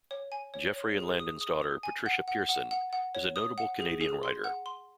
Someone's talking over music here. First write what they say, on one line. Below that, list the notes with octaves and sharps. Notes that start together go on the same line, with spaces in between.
Geoffrey and Landon's daughter Patricia Pearson is a notable Canadian writer.
C#5
G#5
C#5
C#5
G#4
D#6
D#6
D#6
G#5
F#5
F#5
F#5
F#5
F#5
C#5
D#6
F#5
G#4
G#4
C6
F#5
C6